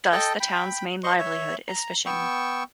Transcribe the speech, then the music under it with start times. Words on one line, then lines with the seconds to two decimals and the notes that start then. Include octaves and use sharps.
Thus, the town's main livelihood is fishing.
0.12 A4 D#5 G5 A5
0.40 G5 B5
1.03 C5 D#5 C6 C#6
1.19 C#5 E5
1.68 A#5
2.06 B3 G5 C#6 E6